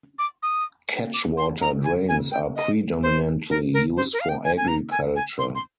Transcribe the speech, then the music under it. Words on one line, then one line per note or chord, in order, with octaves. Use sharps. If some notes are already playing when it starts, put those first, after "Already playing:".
Catchwater drains are predominately used for agriculture.
D6
D#6
D6
C6
A#5
G#5
G#5
G5
D#5
C5
A#4
A#4
C5
A#4
F5
G5
G#5
G#5
A#5
G#5
G#5
C6
C6